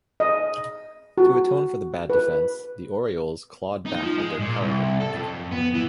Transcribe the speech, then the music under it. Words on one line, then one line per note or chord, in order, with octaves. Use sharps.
To atone for the bad defense, the Orioles clawed back with their power hitting.
D#5
F#4
B4
D#4
F3
G#3
A#2
C2
A4
F2
B3
E3